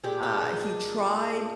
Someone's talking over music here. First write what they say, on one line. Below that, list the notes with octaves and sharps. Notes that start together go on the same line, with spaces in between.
Uh, he tried
A#2 G#3 G4
G4
D#4
D4